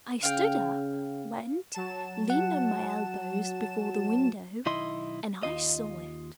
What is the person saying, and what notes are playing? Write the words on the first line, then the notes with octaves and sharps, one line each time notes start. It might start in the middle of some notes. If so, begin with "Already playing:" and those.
I stood up, went, leaned on my elbows before the window, and I saw it.
C#3 F5 G5
F#3 A5 E7
F#5
B1 D#3 E4 D#5 C6
D#2 F4 D#5